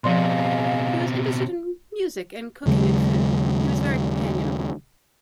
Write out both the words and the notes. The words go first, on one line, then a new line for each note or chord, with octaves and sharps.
He was interested in music and cooking and food, he was very companionable.
B2 F3 C4 G#4 D5 D#5 F5 C6
D#2 C#3 F#3 G#3